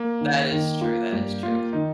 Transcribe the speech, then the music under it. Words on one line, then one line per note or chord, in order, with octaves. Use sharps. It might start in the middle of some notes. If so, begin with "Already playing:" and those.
That is true, that is true.
Already playing: A#3
D#3
D#3
A#3 F4
G2 G4
A#3 F4
D#3 D#4